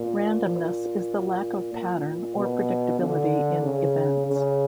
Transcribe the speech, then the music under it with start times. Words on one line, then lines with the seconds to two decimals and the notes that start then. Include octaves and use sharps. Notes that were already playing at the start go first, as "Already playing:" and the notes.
Randomness is the lack of pattern or predictability in events.
Already playing: A#2
1.74 A#2
2.37 B2
3.00 D3
3.63 C#3
4.27 C#3